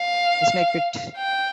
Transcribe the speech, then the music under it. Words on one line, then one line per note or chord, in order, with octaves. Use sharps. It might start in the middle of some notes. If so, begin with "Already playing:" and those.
"The Snake Pit".
Already playing: F5
G5